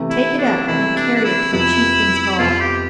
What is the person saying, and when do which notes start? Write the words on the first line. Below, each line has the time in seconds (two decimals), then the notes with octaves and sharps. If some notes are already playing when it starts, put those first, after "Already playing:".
Take it up and carry it to the chieftain's hall.
Already playing: C3 E3 A3
0.10 E4
0.38 D4
0.67 C3 E3 A3 E4
0.96 D4
1.16 D4
1.25 E4
1.52 F2 C3 F3 B3 E4
2.39 F2 C3 F3 B3 F4
2.60 G4